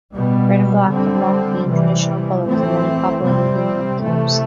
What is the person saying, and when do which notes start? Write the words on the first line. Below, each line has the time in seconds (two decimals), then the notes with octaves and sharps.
Red and black have long been traditional colours of many Papua New Guinean tribes.
0.13 B2 G3 B3
0.90 D3 G3 C4
1.69 C3 E3 G3
2.45 E3 A3 C4
3.23 C3 G3 C4
4.01 C3 E3 A3